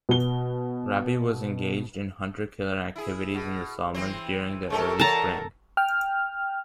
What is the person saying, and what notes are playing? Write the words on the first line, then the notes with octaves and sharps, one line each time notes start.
"Raby" was engaged in hunter-killer activities in the Solomons during the early spring.
B2 G7
E4 G#4
B2
E3 C4 C5
G#3 C#4 G4 A4 A#4
E2 C#5 A5 A#5
G5 F6